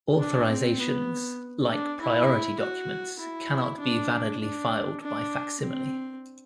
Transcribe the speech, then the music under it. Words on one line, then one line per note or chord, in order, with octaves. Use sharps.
Authorisations, like priority documents, cannot be validly filed by facsimile.
D4
C4
B3
D4
E4
F#4
E4
D4
D4
D4
C4